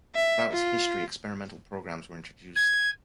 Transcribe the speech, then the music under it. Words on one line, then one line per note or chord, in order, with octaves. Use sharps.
Throughout its history experimental programmes were introduced.
E5
F4
G#6